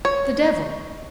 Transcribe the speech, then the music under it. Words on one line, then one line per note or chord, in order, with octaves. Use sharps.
"The devil!"
C#5